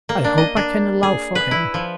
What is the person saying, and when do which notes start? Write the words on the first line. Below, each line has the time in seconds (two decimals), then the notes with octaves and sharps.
I hope I can allow for him.
0.09 A#3
0.24 D4
0.38 D#5
0.57 D4
1.03 G#4
1.35 B4
1.51 E4
1.74 F3